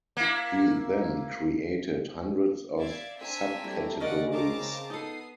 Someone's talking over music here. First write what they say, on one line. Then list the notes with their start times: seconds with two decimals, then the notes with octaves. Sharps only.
He then created hundreds of subcategories.
0.17 A#3 E4
2.78 D5 E5 F5 G#6
3.19 C4 D4 E5 G#5 A#5
3.64 G3 A3 E4
4.00 C#3 C#4 A#4 D5 D#5 F#5
4.33 C4 A5 A#5 D6
4.90 B3 D#4 A4 D#6 C7